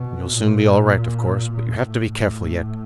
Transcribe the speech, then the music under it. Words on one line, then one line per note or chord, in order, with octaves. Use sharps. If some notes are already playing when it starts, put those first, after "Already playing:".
You'll soon be all right, of course, but you have to be careful yet.
Already playing: B2
A#2
A#2
A2
A2